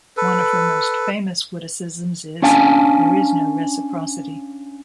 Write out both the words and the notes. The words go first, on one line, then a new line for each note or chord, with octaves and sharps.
One of her most famous witticisms is: There is no reciprocity.
A4 B4
C#4 D4 F5 G#5 A5